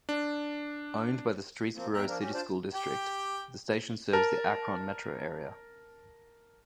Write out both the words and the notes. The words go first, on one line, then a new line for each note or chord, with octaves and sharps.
Owned by the Streetsboro City School District, the station serves the Akron metro area.
D4
F3 A#3 C4
E2 E5 G5 A#5 F#6
F3 A#3 D4 A#4
C#4 F#4 G4
D4 F4 C5 D5 A5
G4 G5
A#4 A5